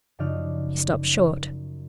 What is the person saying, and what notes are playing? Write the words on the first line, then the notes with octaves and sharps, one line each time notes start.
He stopped short.
F#2 C#3 F3 D#4 D5 F6